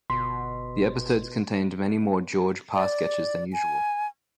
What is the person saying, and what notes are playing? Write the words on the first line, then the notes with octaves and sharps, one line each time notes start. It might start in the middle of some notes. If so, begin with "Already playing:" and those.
The episodes contained many more George Parr sketches than usual.
G1 B2 C6 B6
D5
G#5